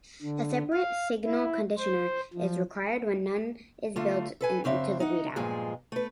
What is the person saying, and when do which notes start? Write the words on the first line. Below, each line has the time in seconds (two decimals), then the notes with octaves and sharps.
A separate signal conditioner is required when none is built into the readout.
0.22 D3
0.72 F5
1.25 E4
1.78 C5
2.33 F3
3.96 D3 A3 F4
4.41 A4 B4 G#5
4.64 F#2 C#3 C4 D4 E5
5.00 D#4 D#5 F#5
5.36 G2 A#2 F3 G#3 G#4
5.92 A3 B4